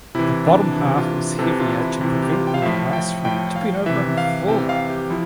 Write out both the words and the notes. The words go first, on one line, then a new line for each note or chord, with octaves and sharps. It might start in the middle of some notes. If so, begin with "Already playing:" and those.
The bottom half is heavier to prevent the device from tipping over and falling.
C3 E3 E4
D4
C3 E3
F4
C3 E3 A4
F4
E4
C3 E3
G4
F4
G5
F5
A2 F3 E5
G5
A2 F3 G5
F5
C3 E3 E5
F5
C3 E3 G5
F5
G4
F3 E4